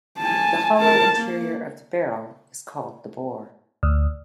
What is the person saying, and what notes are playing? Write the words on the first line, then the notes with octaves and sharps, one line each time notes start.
The hollow interior of the barrel is called the bore.
G#5 A5
A#4 A5
A#3
D2